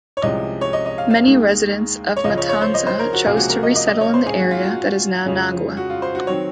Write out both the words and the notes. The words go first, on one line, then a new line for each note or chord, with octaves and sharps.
Many residents of Matanza chose to resettle in the area that is now Nagua.
C#5
C2 C3 F3 G#3 C#4 D#5
C#5
D#5
D#5
F5
F5
D#2 D#3 G#3
C#5
C#2 C#3 F3 G#3 D#5
C#5
C#5
C5
D#5
C5
A#4
F#4
C#2 C3 F3 A#3 C#4 G#4
F#4
A#4
D#5
D#5
D#5
C#5
C5
G#2 D#3 A#3 C#4 G#4
F#4
F4
F#4
F2 C#3 G#3 C#4
F#4
F4
C5
F#4
D#3 F#3 C4 C#5